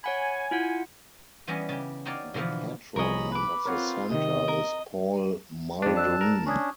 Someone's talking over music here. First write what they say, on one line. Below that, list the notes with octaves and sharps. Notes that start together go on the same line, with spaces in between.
The patron of the Centre is Paul Muldoon.
C#5 F#5 G#5 B5
E4 F4 F#5
E3 G3 B3 C#4 C#5 D#5
C#3 G4
D#4 F#4 G4 C#5 D5 F5
B2 D3 E3 F3 B3
C2 F3 G#4 A#4 C#5 D#5 B5
B4 D6
C4 F4 A#4 C#5 F#5
C3 D#3 D#5
A#4
F2 D4
D5 A5 E6 F#6
A#4
C#4 D4 C#6 D#6 G#6